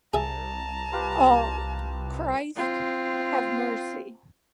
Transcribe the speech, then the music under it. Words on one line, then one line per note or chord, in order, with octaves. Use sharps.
All: Christ, have mercy.
C2 G#4 E5 A5 A#5
F4 G4 B4
C4 F4